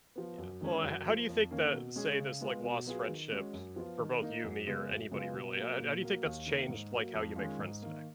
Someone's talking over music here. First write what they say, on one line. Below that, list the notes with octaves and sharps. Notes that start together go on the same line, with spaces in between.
yeah, well h h how do you think that, say, this, like, lost friendships for- both you, me, or anybody really- how how do you think that's changed, like, how you make friends today?
F3 B3
F#2
D#3 G#3 C#4
F#2
F3 A#3
F2
D#3 A#3 C#4
B2
G#3 C#4 G#4
C#3
G#3 B3 F4
B2
F#3 B3 F4 G#4
D#3
G#3 C#4 F#4
F#2
F3 B3 F4
D#3
A#3 D#4
F#2
C#3 G#3 B3
F#2
C#3 G#3 B3 F4
B2
F#3 A#3
A#2
F#3 A#3
D#2
D#3 A#3
G#2
F#3 A#3
F2
D#3 G#3 C#4 F4
G#2
D#3 A#3